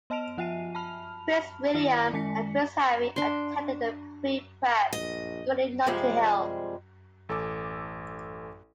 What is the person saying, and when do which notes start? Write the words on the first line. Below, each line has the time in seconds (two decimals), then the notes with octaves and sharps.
Prince William and Prince Harry attended the pre-prep school in Notting Hill.
0.10 B3 D#5 A5 F6 D7 F7
0.38 F3 F4 E5 G#5 C7 D#7
0.75 A5 B5 F6 F7
1.74 D#3 E4 D5 A#6 C#7
2.13 D#3 G#3 C#4 G#5 B6 C#7
3.16 D4 C6
4.93 A#1 D#5
5.86 C3 F3 G3 G#3
7.29 A1 A4 G#5 D6 E6